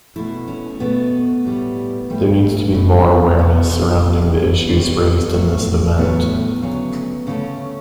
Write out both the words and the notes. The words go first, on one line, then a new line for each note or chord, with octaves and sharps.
There needs to be more awareness surrounding the issues raised in this event.
B2 A3 E4
C#4
B2 A3 B3
A2 G3
A2 G3 A3
B2 A3
B2 A3 B3
A2 G3
A2 G3
A2 F#3 A3
A2 F#3 A3 B3
D2 C#3 F#3 A3
D2 C#3 F#3 A3 C#4